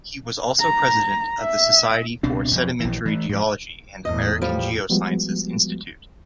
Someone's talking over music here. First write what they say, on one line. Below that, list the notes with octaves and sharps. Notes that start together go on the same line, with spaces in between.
He was also president of the Society for Sedimentary Geology and American Geosciences Institute.
A#5
E5
C#2 B2 C4 D4
B1 F2
A#1 E3
E3 A3
G#2 F3
E2 A2 D#5
F3 G3
F3 G3 G#3 B3 F#4